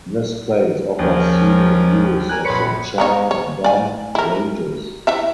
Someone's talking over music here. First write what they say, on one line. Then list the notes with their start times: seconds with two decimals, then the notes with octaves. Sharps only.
This place offers scenic views of the Char Dham ranges.
0.99 D#2 C#3 F3 C#4 A#4
2.29 A#4 G#5 F#6
2.45 A#1 B4 C#5 B5 C6 C#7
2.98 B3 D#4 C#5
3.31 C#5
3.64 D5 G#5
4.15 E4 A#4
5.07 E3 E4 E5